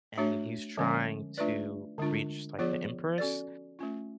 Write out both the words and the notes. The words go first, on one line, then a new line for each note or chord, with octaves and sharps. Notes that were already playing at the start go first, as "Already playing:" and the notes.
and he's trying to reach, like, the Empress,
A3 D4 F#4 C#5
D3 F3 G#3 C#4
A3 D4 F4 B4 D5
D3 G#3 D4 F4
F3 B3 F4 G#4 D5
C#4 F#4 A4 D5
A3 C#4 F4